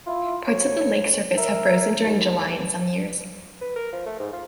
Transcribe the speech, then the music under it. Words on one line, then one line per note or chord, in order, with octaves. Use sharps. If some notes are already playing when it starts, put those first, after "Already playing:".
Parts of the lake surface have frozen during July in some years.
E4 F4
D2 C#5
A#4 E5
D#2
B4
A#4
F3
A3
G#2
F4